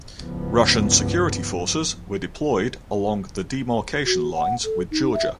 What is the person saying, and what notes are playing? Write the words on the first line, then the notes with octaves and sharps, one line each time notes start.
Russian security forces were deployed along the demarcation lines with Georgia.
C#2 G2 E3 F3 B3
F#4
F#5
A4
D#4
E5